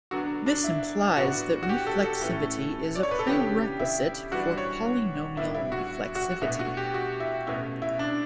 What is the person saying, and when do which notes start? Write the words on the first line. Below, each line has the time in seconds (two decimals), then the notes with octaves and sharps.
This implies that reflexivity is a prerequisite for polynomial reflexivity.
0.11 D3 F#3 B3 D4 F#4
0.46 D4
0.64 E4
1.17 A2 E3 B3 D4 F#4
1.63 F#4
1.69 G4
1.87 A4
2.04 A4
2.22 A2 E3 A3 C#4
2.95 D5
3.03 C#5
3.11 B4
3.19 A4
3.27 C#3 E3 B3 D4 G4
3.79 E4
4.31 E3 G3 D4 F#4
4.58 C#5
5.37 A2 G3 B3 D4 E4
5.54 E4
5.72 F#4
6.15 F#4
6.42 B2 A3 D4 E4
6.59 F#4
6.77 G4
6.94 F#4
7.20 E4
7.47 B2 A3 C#4 E4
7.82 E4
7.99 D4